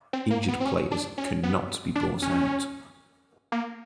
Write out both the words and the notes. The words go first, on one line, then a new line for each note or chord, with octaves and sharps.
Injured players cannot be bought out.
C4
A#3
B3
C4
C#4
D4
C#4
B3
D4
C#4
A#3